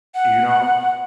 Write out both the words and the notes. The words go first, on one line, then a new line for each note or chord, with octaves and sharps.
you know,
F#5